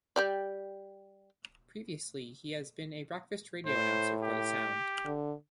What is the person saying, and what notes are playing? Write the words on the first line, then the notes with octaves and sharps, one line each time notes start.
Previously, he has been a breakfast radio announcer for The Sound.
G3 G4 D5
A2 C5
G4
D3